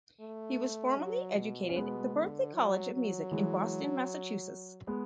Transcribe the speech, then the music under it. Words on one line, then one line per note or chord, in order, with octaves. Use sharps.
He was formally educated at the Berklee College of Music in Boston, Massachusetts.
A3
F#3
B2
C#4
B2 G#3 B3
D3
F#3
F#3
E3 G#3
G#3 B3